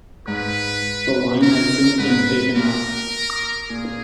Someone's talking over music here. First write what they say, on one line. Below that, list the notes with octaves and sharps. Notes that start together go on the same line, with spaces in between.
The line has since been taken up.
G#2 B4
A#4
G#2 B4
A#2 A#4
A#2 G#4